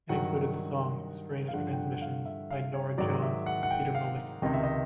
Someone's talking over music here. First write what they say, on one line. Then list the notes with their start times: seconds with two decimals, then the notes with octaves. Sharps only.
It included the song "Strange Transmissions" by Norah Jones and The Peter Malick Group.
0.09 G2 D#3 F#3 F#5
1.48 F5
1.53 G2 D3 F3 F#5
1.72 G5
1.78 F#5
1.94 F#5
2.01 F5
2.25 E5
2.50 F5
2.74 C#5
2.98 G#2 D#3 F#3 D5
3.22 E5
3.46 F#5
3.63 F#5
3.71 G5
3.95 F5
4.42 C#2 C3 D#3 D#5
4.53 E5
4.63 D#5